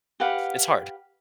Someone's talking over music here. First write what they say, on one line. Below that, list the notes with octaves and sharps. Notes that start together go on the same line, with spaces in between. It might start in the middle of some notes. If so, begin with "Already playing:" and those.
it's hard.
G4 B4 F5 F#5